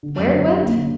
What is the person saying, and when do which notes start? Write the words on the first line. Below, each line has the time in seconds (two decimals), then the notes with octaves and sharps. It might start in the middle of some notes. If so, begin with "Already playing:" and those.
"Where it went?"
0.03 D3
0.18 F#2
0.32 D3
0.47 C#4
0.62 A#3
0.76 D3